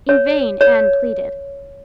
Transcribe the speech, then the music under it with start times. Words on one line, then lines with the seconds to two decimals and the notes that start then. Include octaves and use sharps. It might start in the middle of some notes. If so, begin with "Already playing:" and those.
In vain Anne pleaded.
0.09 C#5
0.61 C#5